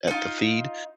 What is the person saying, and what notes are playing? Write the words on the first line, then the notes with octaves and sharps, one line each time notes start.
a at the feed,
D#4 F4